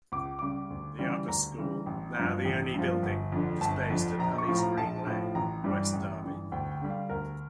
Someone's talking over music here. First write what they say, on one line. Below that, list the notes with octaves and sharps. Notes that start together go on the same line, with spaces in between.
The upper school, now the only building, is based at "Honeysgreen Lane", West Derby.
C#2 D6
C#3 G3 D6
D2
C#3 E3 G3
D2 A#5
C#3 E3 G3
A1
G2 F3
A1
G2 F3
G1
F2 D3
G1 A5
F2 D3
A#1 A#5
C#6
A2 F3
A#5
A#1 A5
A2 F3
A1 A#5
G2 E3 G3
A1
G2 E3 G3
D2 G5
G5
D3 G3
F5
D2 A#4